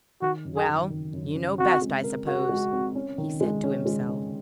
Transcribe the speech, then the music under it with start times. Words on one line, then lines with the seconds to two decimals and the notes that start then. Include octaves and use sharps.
"Well--you know best, I suppose," he said to himself.
0.22 D#3 F#4
0.45 F#2
0.56 G#4
0.68 D#3
0.90 D#3
1.13 F#2
1.35 C#4
1.59 C4 F#4
1.82 G#3
2.04 A#4
2.27 F#4 A#4
2.49 G#3
2.73 C4
2.95 C#4
3.18 D#3
3.41 G#3
3.64 C#4
3.86 G#3
4.09 C#4